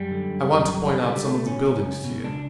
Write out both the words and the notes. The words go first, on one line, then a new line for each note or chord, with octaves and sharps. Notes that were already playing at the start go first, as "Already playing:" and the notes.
"I want to point out some of the buildings to you."
Already playing: F#2 G3
D3
F#2
F#2
D3
D3
C#2 G3
C#2 A3
B2 C#4
C#2
C#2
B2
C#2 D4